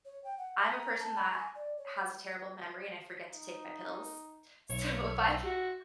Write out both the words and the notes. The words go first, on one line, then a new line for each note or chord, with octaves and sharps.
I'm a person that has a terrible memory, and I forget to take my pills. So, if I could have
C#5
G5
F#5
A#5
A5
B5
G#5
D5
C#5
D#4
B1 C#5 E5
F#4